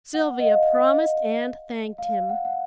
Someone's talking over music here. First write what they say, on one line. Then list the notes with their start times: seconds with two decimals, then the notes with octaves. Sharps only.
Sylvia promised and thanked him.
0.14 F#5
0.39 D#5
0.45 F5
0.76 D#5
1.98 F5
2.30 F#5
2.45 F#5